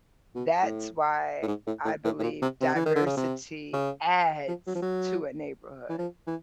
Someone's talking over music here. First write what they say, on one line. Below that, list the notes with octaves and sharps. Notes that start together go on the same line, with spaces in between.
that's why I believe diversity adds to a neighborhood.
B2
A2
A2
G#2
A2
A2
A2
A2
A#2
C3
C3
E3
D#3
D3
C#3
C3
C#3
F3
F#3
F3
F#3
E3
F3
E3